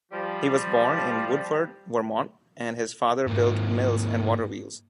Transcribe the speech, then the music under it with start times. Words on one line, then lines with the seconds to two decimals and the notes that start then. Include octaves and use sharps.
He was born in Woodford, Vermont, and his father built mills and waterwheels.
0.12 F3 G3
3.27 G#2 A#3